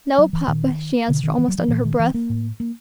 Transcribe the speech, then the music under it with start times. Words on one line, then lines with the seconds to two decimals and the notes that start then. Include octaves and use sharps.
"No, papa," she answered almost under her breath.
0.18 F#3
0.33 E3
0.48 A#2 D#3
1.08 B2 D3
1.23 D#3
1.38 E3
1.48 F#3
1.58 F3
1.68 A#2 E3
1.85 D#3
1.99 E3
2.14 A#3
2.29 A2
2.60 A#3